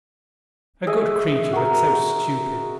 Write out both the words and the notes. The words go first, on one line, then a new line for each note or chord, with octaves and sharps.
A good creature, but so stupid!
G#4 D#5 E5
F#4 G#4 A#4